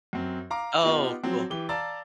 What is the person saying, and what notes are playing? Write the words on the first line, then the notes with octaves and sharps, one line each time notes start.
Oh, cool.
F#2 C4
F5 A#5 D6
B3 D#4 F4 G4
F3 F#3 C4
E3 G4 G7
D5 F5 A5 A#5 E6 A6